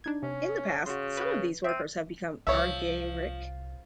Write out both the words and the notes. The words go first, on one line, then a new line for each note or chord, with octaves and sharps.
In the past, some of these workers have become argyric.
D4 D#4 G#6
C3 C#4
C#3 F#4 C6
B4
C4 E5 D#7
C2 F3 C#5 E5